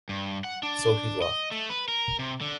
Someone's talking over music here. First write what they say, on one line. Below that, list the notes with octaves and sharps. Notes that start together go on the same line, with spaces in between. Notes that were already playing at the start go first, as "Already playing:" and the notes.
So he left.
G2
F#5
D4
D#5
A3
B4
A#4
C3
D3